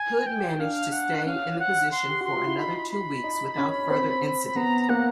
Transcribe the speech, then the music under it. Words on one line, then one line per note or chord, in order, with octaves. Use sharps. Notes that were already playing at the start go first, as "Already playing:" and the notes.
Hood managed to stay in the position for another two weeks without further incident.
Already playing: G#5
G5
D4 F5
F#5
F#5
C#4 F5
F#5
C6
G4
F#4 C6
F4
E4
D#4 B5
B5
D#4
C#4
C4
B3 A#5
A#3 F#5